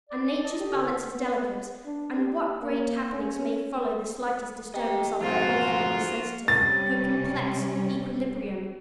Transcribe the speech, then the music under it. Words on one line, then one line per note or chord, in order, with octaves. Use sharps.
And Nature's balance is delicate; and what great happenings may follow the slightest disturbance of her infinitely sensitive, her complex, equilibrium?
D5
A4 D#5
G4
D#2 A2 C#3
B3
D4
G4
A#3
C#4
G4 D#5 G5
F2 G#2 G#3 F4 F#4
C3 G3 C#4 A6